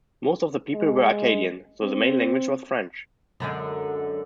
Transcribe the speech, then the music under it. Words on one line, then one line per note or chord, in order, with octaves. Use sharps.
Most of the people were Acadian, so the main language was French.
G#3
C4
F#2 D3 G#3